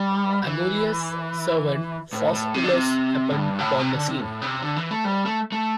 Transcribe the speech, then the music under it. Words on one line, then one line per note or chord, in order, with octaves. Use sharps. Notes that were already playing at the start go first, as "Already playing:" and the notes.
Amulius' servant Faustulus, happened upon the scene.
Already playing: G3
E3
A2
A2
C3
D3
C3
A2
G2
A2
C3
D3
C3
A2
C3
D3
E3
A3
G3
A3
A3